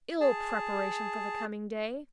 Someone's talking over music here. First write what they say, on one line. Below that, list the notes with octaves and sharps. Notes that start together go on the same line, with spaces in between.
Ill preparation for the coming day!
G#4 A5